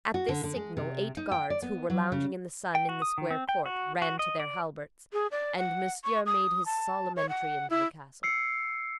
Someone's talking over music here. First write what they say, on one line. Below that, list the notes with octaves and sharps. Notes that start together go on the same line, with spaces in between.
At this signal, eight guards, who were lounging in the sun in the square court, ran to their halberts, and Monsieur made his solemn entry into the castle.
F#4
D3
D3
G#3
C3
D#4
G5
D5
B3
F#3
C#3
G5
F#4
D#6
D#3
C4
G5
F#4
F#4
D#5
D5
G#4
D5
F#5
C#6
D#6
A5
C#5
F#5
E4
E6 C7 C#7